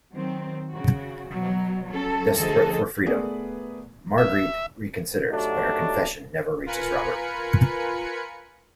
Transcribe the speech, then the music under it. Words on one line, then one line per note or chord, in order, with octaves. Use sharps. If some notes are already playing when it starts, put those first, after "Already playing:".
Desperate for freedom, Marguerite reconsiders, but her "confession" never reaches Robert.
D#3 F#3 C4
C#3 F#4
B2 F#3
F#3 C#4 A4
D2 C#3 F3 G#4 A4 D#5
A3 B3 G#4 A#4 B4 D5
E5
F#3 A3 D4 D#4 F#4 G4
F4 A#4 B4 G#5 B5 C#7